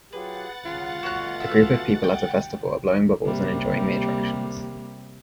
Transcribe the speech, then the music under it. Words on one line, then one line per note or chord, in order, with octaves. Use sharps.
A group of people at a festival are blowing bubbles and enjoying the attractions.
F#3 F4 G4 G#4 B4 F#5 A6
C#3 F4
B2 A3 F#4 C#5 F#6
E5 F5
G5
C3 G3 A#3